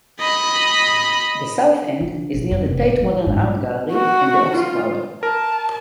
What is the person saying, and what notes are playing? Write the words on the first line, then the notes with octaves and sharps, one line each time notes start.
The south end is near the Tate Modern art gallery and the Oxo Tower.
D#5 B5
D3
B1
F#2
F1
A#1
E3
G#2
A#1
F#4
F4
A#4 A5